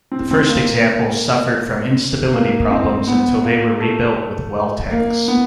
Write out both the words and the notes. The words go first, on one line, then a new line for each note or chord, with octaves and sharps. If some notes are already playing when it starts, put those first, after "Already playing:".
The first examples suffered from instability problems until they were rebuilt with well-tanks.
C4
C4
A#3
A#3
C4
B3
A#3
A3
A#3
B3